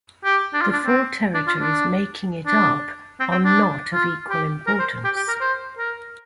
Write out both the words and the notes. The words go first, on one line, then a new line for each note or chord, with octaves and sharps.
The four territories making it up are not of equal importance.
G4
D4
F4
D4
C4
D4
F4
D4
D4
C4
C4
D4
F4
G4
A#4
C5
G4
G4
A#4
C5
A#4